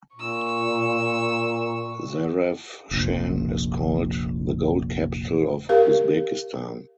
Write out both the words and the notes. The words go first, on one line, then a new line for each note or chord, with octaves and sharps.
Zarafshan is called "the gold capital of Uzbekistan".
A#2 C#6 E6
F1 A#1
G4 A#4 F5